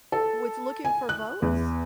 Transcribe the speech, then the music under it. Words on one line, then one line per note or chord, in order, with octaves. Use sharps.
was looking for votes?
A4
G#5
F#6
E2